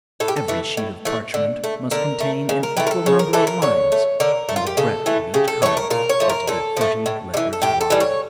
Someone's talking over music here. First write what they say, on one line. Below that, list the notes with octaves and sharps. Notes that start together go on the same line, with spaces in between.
Every sheet of parchment must contain an equal number of lines, and the breadth of each column had to be thirty letters wide.
A2 A4
G4
A4
E3 A3
A2
E3 A3
D3
A3
D3 A#4
A3
C#3
A#4
E3 A3 G4
A#4
A4
C#3 C#5
A#4
E3 A3 A4
A#4
D3 C#5
A3
D3 A#4
A3
F4
G4
C#3 A4
E3 A3
C#3 G4
A4
E3 A3 C#5
A#4
A#2 A#4
C#5
F3 A3
A#4
A#2 A4
F3 A3
A2
G3
E3
A4
A2 G4
A4
E3 G3
C#5